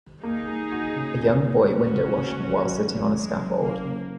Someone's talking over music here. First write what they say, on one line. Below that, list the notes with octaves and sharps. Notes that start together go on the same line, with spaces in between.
A young boy windowwashing while sitting on a scaffold.
A#3 D#4 G#4
A#3
F#4
C#3
A#3
A#3
A#3 C#4 F#4
C#3
C#3
F#2
F#3
F#2
F#2 G#3
F#1
F#1 A#3
C#3